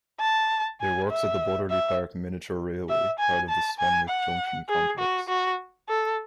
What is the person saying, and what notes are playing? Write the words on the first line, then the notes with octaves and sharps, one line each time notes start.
It works at the Butterley Park Miniature Railway, part of the Swanwick Junction complex.
A5
G#5
E5
E5
E5
G#5
A5
G#5
F#5
G#4
F#4
F#4
A4